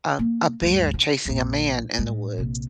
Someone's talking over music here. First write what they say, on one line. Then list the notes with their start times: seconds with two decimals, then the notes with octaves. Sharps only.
um, a bear chasing a man in the woods?
0.19 A#3
0.62 D2 G2
0.94 D3
1.25 A#1 F2
1.99 A2 G#3
2.38 A#1 C3